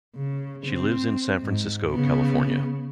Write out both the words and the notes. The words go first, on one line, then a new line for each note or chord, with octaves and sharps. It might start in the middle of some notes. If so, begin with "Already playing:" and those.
She lives in San Francisco, California.
C#3
C4
G#2
C#3 B3